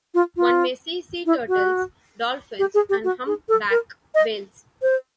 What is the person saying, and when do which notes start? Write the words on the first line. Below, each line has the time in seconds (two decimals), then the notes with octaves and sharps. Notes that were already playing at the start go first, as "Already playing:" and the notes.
One may see sea turtles, dolphins and humpback whales.
0.14 F4
0.37 F4
1.26 E4
1.48 F#4
2.59 G4
2.74 G#4
2.89 G4
3.04 F#4
3.26 G#4
3.49 A4
3.71 A#4
4.15 D#5
4.82 C5